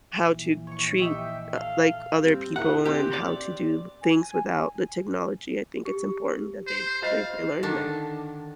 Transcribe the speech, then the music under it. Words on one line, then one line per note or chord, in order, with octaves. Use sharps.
how to treat, uh, like, other people and how to do things without the technology, I think it's important that they they they learn that.
A#1 E3
C#5 C#6
D#4 G4 E5
A4 F5
G3 C4
E4 G#4 A#4 F#5
C4 G4
D5
G#5
G4
C5
F4 C5 D#5 F5
D3 D#3 D4